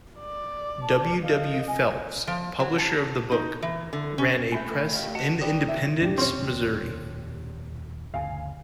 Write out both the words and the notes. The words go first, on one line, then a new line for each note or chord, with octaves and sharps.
W. W. Phelps publisher of the book, ran a press in Independence, Missouri.
D5
A5
D#5 F5
G#5
F3
F#3
A5
D#4
E3
D3
C#4
A3 B4 E5 G5 G#5 B5 G6
G4 D#5 F5
F#4 D#5 F#5 A5
G1 D#3 B4 C#5 D5 G5 D#6
C3 D4 E5
D#1 F2 B2 D4 G4
C4 C#4 C#5
D2 G2 C#3 F5 G#5